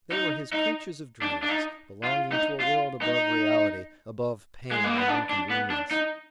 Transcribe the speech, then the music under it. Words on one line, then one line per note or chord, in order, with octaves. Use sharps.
They were his creatures of dreams, belonging to a world above reality, above pain and inconvenience.
D#4
D#4
D4
D4
D#4
F4
D#4
F4
D#4
G#3
A#3
B3
D4
D4
B3
D4
D#4